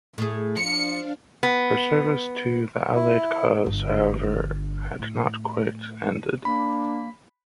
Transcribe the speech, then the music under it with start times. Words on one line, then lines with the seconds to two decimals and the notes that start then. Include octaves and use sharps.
Her service to the Allied cause, however, had not quite ended.
0.18 A2 G#4
0.57 F3 D4 F5 C#7
1.43 B3
2.95 E4
3.66 G1 D3
4.99 A2
6.45 A#3 D4 B5